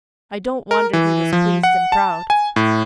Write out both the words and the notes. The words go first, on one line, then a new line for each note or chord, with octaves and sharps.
I don't wonder he was pleased and proud.
A#4
E3
F3
F#5
A5
G#5
A2